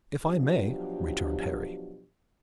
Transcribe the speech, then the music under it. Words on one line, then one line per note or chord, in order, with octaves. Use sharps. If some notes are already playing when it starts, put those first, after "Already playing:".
"If I may," returned Harry.
B2 F3 F#3 D4 G4